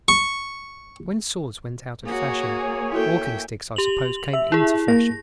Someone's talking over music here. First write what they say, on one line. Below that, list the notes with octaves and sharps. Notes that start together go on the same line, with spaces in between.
When swords went out of fashion, walking-sticks, I suppose, came into fashion.
C#6
A#3 F#4 G#4 C#5 G#5
E4 F#4 A4 E5 G5
G4 F7 F#7
E5
E4 G#4
A#3 A#6